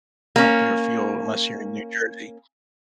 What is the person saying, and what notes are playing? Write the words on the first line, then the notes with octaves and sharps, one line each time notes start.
pump your fuel, unless you're in New Jersey.
A#3 C#4